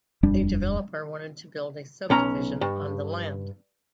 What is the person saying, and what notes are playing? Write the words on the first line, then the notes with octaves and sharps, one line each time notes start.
The developer wanted to build a subdivision on the land.
D#1 F2 G3 D4
B1 C#4 A#5
G2